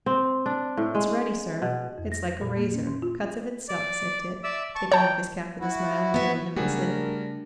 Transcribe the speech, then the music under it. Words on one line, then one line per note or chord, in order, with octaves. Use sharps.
"It's ready, sir; it's like a razor, cuts of itself," said Tit, taking off his cap with a smile and giving him the scythe.
C4
D4
A2
G#3
B2
F2
A#6
A#2
A#3
C#4
C#4
F4
D5
D5 E5 E6
A5 C#6
C#5 G5 A5
E4 F#4
B3 E5
C#3 G3 A3 D4 F#4 G#4 A#4